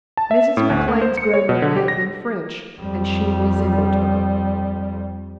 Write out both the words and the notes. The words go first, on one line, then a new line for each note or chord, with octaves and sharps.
Mrs. McLane's grandmother had been French and she resembled her.
A5
E5
A2
D2
A3
C5
C#7
C#5
B2
D3
G4
A#6
F2 G3